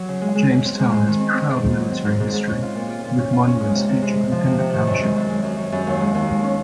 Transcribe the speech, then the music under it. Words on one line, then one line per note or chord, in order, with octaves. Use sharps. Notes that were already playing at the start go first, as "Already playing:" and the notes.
Jamestown has proud military history, with monuments featured within the township.
Already playing: F#3
C#3
G#3
G#3
G#3
C4
G#3
G#3
D#3
C4
C4
G#2
G#2
F#3
C4
G#2
G#2
G#2
C#4
F4
A#2
F4
A#2
C#4
F4
C#4
G#3
C3
C3
G#3
G#3
F3
C3
C3
D#3
F#2
G#3
F#2
G#3
F#2
F#2
F#2
D#2
G#3
D#2
G#3
C#4